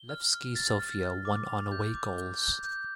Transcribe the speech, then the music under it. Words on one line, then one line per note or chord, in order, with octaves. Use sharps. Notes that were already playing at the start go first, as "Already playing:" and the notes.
Levski Sofia won on away goals.
Already playing: G7
F6
F6
A6
F6
F6
D6
F7
G6
D6
G6
G6
G6